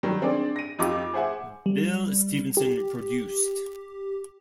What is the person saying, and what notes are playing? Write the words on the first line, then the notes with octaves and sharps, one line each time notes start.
Bill Stevenson produced.
D#3 F#3 G3
C4 D4 G#4 D5
A#6 D#7
F2 D#4 F4 G4 D6
G#4 C5 E5 F#5 G#5
G3
G4